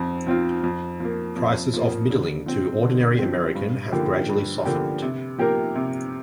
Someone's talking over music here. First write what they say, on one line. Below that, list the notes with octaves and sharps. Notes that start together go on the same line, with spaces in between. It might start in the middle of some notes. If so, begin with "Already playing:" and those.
Prices of middling to ordinary American have gradually softened.
Already playing: F2 F3 C4
F3 C4 F4
F2
F3 A#3
F2
F3 A#3
D3
F3 C4
D3
F3 C4
G2
D3 F3 A#3 G4
G2
D3 F3 A#3 G4
C3
F3 A#3 G4 A#4
C3